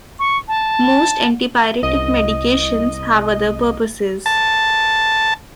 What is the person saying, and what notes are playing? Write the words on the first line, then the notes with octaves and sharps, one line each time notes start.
Most antipyretic medications have other purposes.
C#6
A5
C2 D#5
A5